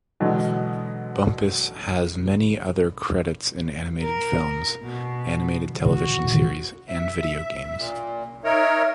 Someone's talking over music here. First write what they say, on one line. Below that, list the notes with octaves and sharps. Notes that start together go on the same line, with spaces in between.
Bumpass has many other credits in animated films, animated television series, and video games.
B2 D3 E3 F#3 G#3
A#4
B2
F#4
E5
A#2
D#4 A#4 C#5 E5